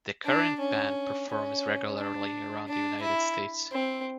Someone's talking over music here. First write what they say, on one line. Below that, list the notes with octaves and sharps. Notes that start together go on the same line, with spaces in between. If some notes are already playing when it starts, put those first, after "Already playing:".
The current band performs regularly around the United States.
D4
C#4
C#4
D4
D4
E4
C4